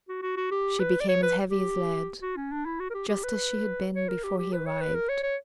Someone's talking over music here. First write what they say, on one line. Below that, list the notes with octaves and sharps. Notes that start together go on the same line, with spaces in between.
She became as heavy as lead--just as she had been before he arrived.
F#4
F#4
F#4
G4
B4
D5
C#5
B4
G4
F#4
C#4
D4
E4
F#4
A#4
G4
G4
B4
C#5
A#4
G4
G4
B4
C#5
B4
A#4
C#5
C#5